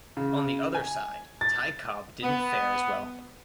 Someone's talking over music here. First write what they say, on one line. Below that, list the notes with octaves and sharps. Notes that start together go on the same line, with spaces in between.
On the other side, Ty Cobb didn't fare as well.
C#3
G#5
A6
B3